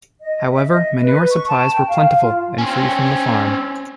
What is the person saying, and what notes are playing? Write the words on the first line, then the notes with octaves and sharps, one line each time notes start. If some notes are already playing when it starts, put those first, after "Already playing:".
However, manure supplies were plentiful and free from the farm.
D#5
E5
D#5
B4
C#6
A5
G5
F5
F5
F4
C4 C#4